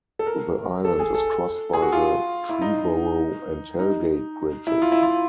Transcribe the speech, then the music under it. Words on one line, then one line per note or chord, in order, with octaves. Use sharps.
The island is crossed by the Triborough and Hell Gate bridges.
A4
A#4
A4
G#4
A4
G#4
F#4
F4
E4
D#4
D#4
E4
F4
E4
F4